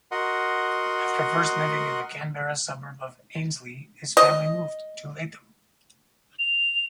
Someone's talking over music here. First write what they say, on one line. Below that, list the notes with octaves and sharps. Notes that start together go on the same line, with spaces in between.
After first living in the Canberra suburb of Ainslie, his family moved to Latham.
F#4 A#4 D#5 F#5 C6
D#5
F7